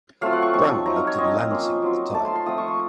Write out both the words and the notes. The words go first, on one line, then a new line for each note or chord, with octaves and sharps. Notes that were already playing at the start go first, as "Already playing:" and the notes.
Brown lived in Lansing at the time.
F#3 A3 C4 F4 F5
F#5
C#6
F3 C4 D#4 C#6
F#3 C4 D#4 A#5
F5
C#5
F3 C4 D#4 D#5
A#3 C#4 F4
F#3 C4 F4
A3 C4 F4 A5
C6
C6
F3 A3 C4 F4 D#6
C#6
C6